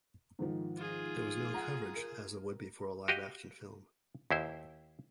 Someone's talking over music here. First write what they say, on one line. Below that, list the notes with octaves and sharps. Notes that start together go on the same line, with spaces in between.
There was no coverage, as there would be for a live-action film.
G#2 D#3 F3
F4 G#4
F#5 A#5
A#4
F#4 G4 D#5 F5
D#2 E4 C5